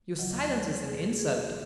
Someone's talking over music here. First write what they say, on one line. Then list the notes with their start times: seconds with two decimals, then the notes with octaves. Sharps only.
"Your silence is an insult!"
0.19 D#2 C#3 F#3 D#5
0.52 C#5
0.86 G#4
1.19 G#4